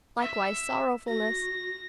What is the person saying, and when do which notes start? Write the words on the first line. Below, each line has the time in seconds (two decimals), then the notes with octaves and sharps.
Likewise sorrowfulness!
0.20 E5
1.08 F#4 A#6